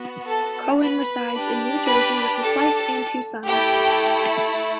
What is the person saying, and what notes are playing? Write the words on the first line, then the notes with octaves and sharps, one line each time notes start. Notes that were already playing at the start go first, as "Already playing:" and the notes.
Cohen resides in New Jersey with his wife and two sons.
Already playing: B3 F#4
A4 A5
B4 B5
D4 G4
B4 B5
A4 A5
A3 E4 G4 A4 G5